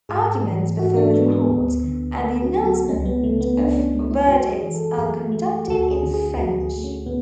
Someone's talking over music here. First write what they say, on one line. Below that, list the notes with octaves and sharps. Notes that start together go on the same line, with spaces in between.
Arguments before the courts, and the announcement of verdicts, are conducted in French.
G#2 G#4
E3
G#2 F#4
D4
G#3 B3
B3
D2
D3
A3 B3
F#4
F#3
F#4
C#2 C#4
B3
C#3 A3
B3
C#2 D4
C#4
G#3
E4
F#2 F#4
G#4
E3
A4
F#2 G#4
A3
D2 F#4
G#4
D3
G#4
D2 F#4
G#4
A3
C#4
A2 B3